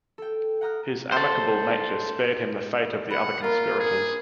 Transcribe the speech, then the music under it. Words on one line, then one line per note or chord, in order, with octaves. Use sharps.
His amicable nature spared him the fate of the other conspirators.
A4 G5
F#5 G5 A#5 D#6 F6 F#6
A4 C5
B4 F#5
A#3 F4 A#4
G#4